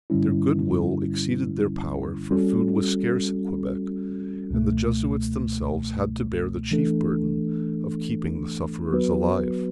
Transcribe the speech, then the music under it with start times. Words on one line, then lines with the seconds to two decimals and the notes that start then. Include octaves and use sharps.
Their good will exceeded their power; for food was scarce at Quebec, and the Jesuits themselves had to bear the chief burden of keeping the sufferers alive.
0.10 G2 D3 G3 C#4 E4
2.31 G3 C#4 F#4 A4
4.50 C#2 B2 A3
6.71 E3 A3 D4 A4
8.92 F#3 B3 F#4 B4